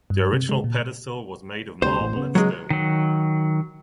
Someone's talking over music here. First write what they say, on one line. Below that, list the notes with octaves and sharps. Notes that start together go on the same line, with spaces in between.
The original pedestal was made of marble and stone.
G2
C3
G#3
A#2
D2 C3 G3 C5
A1 A2
C#3 B3
F#3 G#3
D#3 F#3